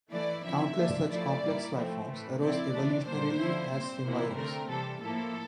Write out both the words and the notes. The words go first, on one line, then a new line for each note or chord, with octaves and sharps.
Countless such complex life forms arose evolutionarily as symbiomes.
E3 A3 E4 D5
D3 F3 C4 E4 E5
F3 A#3 D4
F3 A3 E4 D5
A2 G3 A#3 E4
A2 F3 A3 C4 E4
A2 E3 A3
F3 C4 E4 D5
C3 E3 A3 D4
A#2 G3 A#3 D4 C5
D3 F3 C4 E4
A#2 G3 C4 C5
C3 E3 A#3 E4
D3 A3 C4 A#4
C3 E3 G3 A4
A2 F3 A#3 E4 A4